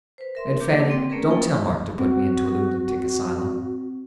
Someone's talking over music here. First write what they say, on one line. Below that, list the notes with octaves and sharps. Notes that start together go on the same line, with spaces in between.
And, Fanny, don't tell Mark to put me into a lunatic asylum.
B4 C5
A#4 E5 C6
A#3 G4 D6
C4 D5 G5
A3 A#3 C#4 G#4 A#4 B4
A4 G5
C4 F#4